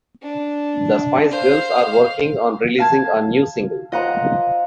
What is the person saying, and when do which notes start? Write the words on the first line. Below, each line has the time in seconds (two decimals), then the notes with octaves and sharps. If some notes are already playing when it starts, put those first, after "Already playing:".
The Spice Girls are working on releasing a new single.
0.23 D4
1.31 C5 F5
2.78 F5 A5 G#6
3.92 F4 C5 D#5 F#5 A#5